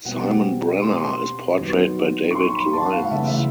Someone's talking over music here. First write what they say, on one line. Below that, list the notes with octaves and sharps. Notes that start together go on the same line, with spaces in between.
Simon Brenner is portrayed by David Lyons.
B2 G3 C4 F#5
C6
D#3 F#3 B3
C#6
C6
B5
A5
F#5
F5
C#3 E3 A3 E5
E5